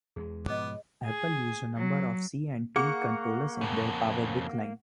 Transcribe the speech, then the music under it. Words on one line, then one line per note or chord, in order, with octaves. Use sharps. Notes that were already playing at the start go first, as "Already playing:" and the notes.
Apple used a number of C and T controllers in their PowerBook line.
E2 G#3 G#4
G#2 B2 F3 B3 C#5 D#5 D6
G#4
F#3
A#3 G#4 F#5 C#6 C#7
F2 C#3